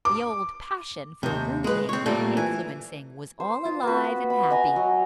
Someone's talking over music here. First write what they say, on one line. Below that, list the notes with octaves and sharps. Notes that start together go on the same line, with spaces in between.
The old passion for ruling and influencing was all alive and happy.
D6
D#2 C3
G#3 B4
C4 C#5
A#2 G3 A3 A#3 C4
E3
C5
F4
B3 C4 F#4 B4
B5
D#5 G#5 A#5
F#3